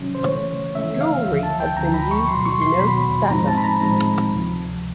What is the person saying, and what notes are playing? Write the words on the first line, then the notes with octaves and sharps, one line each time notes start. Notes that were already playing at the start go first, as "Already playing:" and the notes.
Jewellery has been used to denote status.
Already playing: C3 D#3 F#3 C#4
C5
C#3 E3 A3 C#5
C#3 E3 A3 E5
F5
D2 D3 F3 E5
A5
G5
D2 D3 F3 A#5
B5
C#6
E2 B2 F#3 C6
C#6
C6
E2 B2 F#3 B5
A2 F3 G#3 C4 D#4 A#5
A5
B5
A#5
A2 F3 G#3 C4 D#4
D2 C3 F3